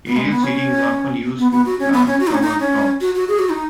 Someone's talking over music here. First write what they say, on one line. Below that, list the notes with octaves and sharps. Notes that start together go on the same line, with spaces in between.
Aerial seeding is also often used to plant cover crops.
B3
G#3
B3
C#4
B3
B3
F#4
C#4
B3
C#4
F#4
D#4
C#4
D#4
C#4
F#4
F#4
G#4
F#4
D#4